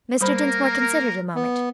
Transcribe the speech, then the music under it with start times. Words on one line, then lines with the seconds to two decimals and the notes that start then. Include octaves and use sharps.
Mr. Dinsmore considered a moment.
0.21 G3 A#3 A#4 C5 B5
1.35 B3